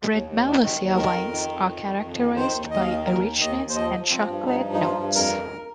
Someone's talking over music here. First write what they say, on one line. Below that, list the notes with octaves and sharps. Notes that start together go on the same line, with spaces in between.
Red Malvasia wines are characterized by a richness and chocolate notes.
D#2
D#2
D#3
D#3
D#2
D#3 A#4
F2
D#3
F2
D#3
F2
F2
D#3
D#3 C5
D#2
D#2 D#5
F5
D#3 D#5
D#2 A#4
D#3
D#2 D#5
D#2
C5
F3 D#5
F3
F3 C4
G2
G2 D#4
F3
D#4
G2 F4
G2
F2 A#4
F2